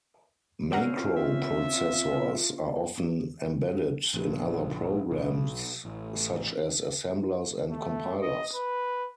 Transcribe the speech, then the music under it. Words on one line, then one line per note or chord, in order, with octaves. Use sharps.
Macro processors are often embedded in other programs, such as assemblers and compilers.
C4 C#4 D5 F5 F#5 A#5
F4
E5
A#1
B1
A1
A3
D#5
B4